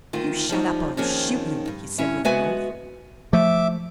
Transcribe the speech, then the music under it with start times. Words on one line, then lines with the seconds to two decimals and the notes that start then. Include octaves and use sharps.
"You shut up or I'll shoot you!" he said with an oath.
0.13 D2 D#3 F4
0.49 F3 G3 D#4
0.97 D#2 D#3 F3 C#4 F4 G#4
1.68 G2
1.98 G2 C#4 E4 E5
2.24 G#3 B3 F#4 B4 E5 G#5
3.33 F3 A3 E5 D6